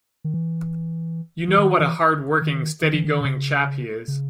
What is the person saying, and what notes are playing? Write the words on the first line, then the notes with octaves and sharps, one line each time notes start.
You know what a hard-working, steady-going chap he is.
D#3
E3
E3
D#3
E3
D#3
D#3
E3
D#3
C3
C#3
C#3